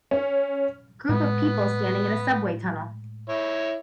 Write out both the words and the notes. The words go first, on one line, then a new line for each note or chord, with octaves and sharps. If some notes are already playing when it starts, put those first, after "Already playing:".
Group of people standing in a subway tunnel.
C#4
A2 G#3 B3
E4 C#5